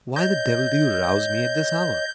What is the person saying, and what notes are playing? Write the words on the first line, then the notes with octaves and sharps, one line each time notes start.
"Why the devil do you rouse me at this hour?"
C#5 D#5 G6